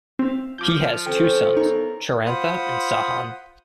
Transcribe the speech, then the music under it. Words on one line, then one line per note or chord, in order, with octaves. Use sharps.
He has two sons, Chirantha and Sahan.
C4 E5 F5
F3 D6 G6
C4 C#4 A4 C#5 G5
E2 D#4 A#4 C#6
F4 C5 F#5 B5 D#6